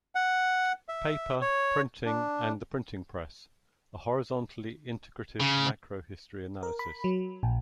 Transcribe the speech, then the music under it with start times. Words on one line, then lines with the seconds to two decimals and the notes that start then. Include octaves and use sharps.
Paper, printing and the printing press: A horizontally integrative macrohistory analysis.
0.15 F#5
0.89 E5
1.41 C#5
2.05 D4
5.40 C#3
6.63 A#4
6.79 B5
7.04 F#3
7.43 A#1